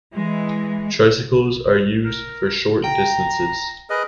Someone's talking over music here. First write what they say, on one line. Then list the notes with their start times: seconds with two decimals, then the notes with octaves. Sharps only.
Tricycles are used for short distances.
0.14 E3 G#3
2.05 A#4
2.84 G5 A#5
3.90 G#4 A#4 B4 D#5